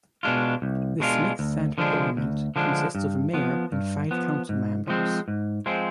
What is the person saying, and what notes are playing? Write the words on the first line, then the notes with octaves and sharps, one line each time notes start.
The Smith Center government consists of a mayor and five council members.
B2 G#3 D4 F4
C2
B2 G#3 D4 F4
D2
D3 F3 G#3 D4
D2
D3 F3 G#3 D4
G2
F3 B3
G2
F3 B3
G#2
F3 G#3 C4
G#2
F3 G#3 C4